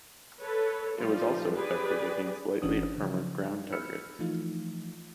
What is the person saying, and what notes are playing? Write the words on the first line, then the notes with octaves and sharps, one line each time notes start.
It was also effective against lightly armored ground targets.
A4 B4 C#5
F3 G3 F4
G4 G#4 B4 D5
G1 E3 C#4 D4 F#4 D#6
C#3 F3
B5 E6 F6 C#7
E3 F3 A3 D#4 F4